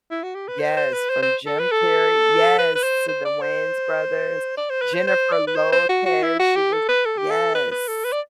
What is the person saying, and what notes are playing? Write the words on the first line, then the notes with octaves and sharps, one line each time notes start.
Yes, from Jim Carrey Yes, to the Wayans brothers. Jennifer Lopez, she was Yes.
E4
F#4
G4
B4
C5
C5
B4
C5
C5
A4
B4
A4
B4
B4
C5
C5
D5
C5
D5
C5
B4
C5
C5
D5
B4
C5
C5
F#4
F#4
E4
F#4
G4
A4
B4
A4
G4
A4
B4
B4
A4
B4
D5